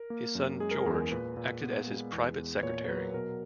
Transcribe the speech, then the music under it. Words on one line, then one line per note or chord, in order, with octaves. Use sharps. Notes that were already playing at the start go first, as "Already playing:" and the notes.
His son, George, acted as his private secretary.
Already playing: A#4
A#3
F#2
G#3 G#4
A#4
G#4
E2
A#4
A#2 B4
A#2
B3
G#3
E2
E2
B4
A#2 C#5
F#3 B4
A#4
B2 A#4